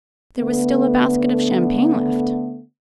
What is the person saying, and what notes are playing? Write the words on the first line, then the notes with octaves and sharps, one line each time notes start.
There was still a basket of champagne left.
D3 A3 B3